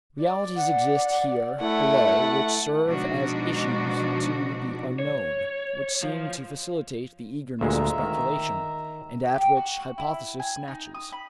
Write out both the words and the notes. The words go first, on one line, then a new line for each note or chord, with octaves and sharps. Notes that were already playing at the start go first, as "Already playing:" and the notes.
Realities exist here below which serve as issues to the unknown, which seem to facilitate the egress of speculation, and at which hypothesis snatches.
D5
F#5
A3 E4 F#5
B2 F3 G#3 D4 D#4 F#4
C#5
F3
D2 A#2 G#3 E5 A#5
D#3
G4
F#4
E4
G#5
D#4
D#6
B5